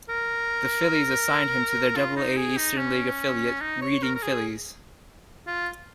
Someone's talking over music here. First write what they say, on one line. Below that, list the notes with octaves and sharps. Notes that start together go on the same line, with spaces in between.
The Phillies' assigned him to their Double-A Eastern League affiliate, Reading Phillies.
A#4
F4
D#4
G#4
D#4
C#4
D#4
C#5
A#4
A#4
G#4
F4